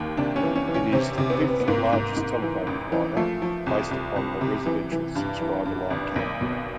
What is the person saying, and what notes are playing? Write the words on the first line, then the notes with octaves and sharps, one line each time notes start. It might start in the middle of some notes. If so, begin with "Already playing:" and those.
It is the fifth largest telephone provider based upon residential subscriber line count.
Already playing: D#2 D#3
C3 D4
C#4
E3
C#4
E3
C#4
C3 C4
C3
B3
C3
B3
G#2 A#3
G#2
G#2
E3
A1
E3
F3 A3
F3
C2
C2
C2
C3
E3
E3
G2
E3
G2
G#1
B1 A#3
B2